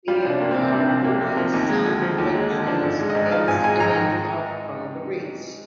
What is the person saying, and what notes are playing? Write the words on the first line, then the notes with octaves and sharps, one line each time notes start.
There are always some coaches that stand out from the rest.
G3 F4
C2
D4
A#3
C4
C3
G3 D4
C2
A#3
C3
F3
D#2
G#3
D3
F3
D#2
G#3
D3
F3 D4
G#1
G#3
D#5
G#2
F3 F5
G#1 G#5
G#3 G#5
G#2 A#5
D#3